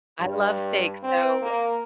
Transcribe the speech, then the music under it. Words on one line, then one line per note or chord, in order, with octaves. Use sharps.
I love steak, so
G2
C4
A#3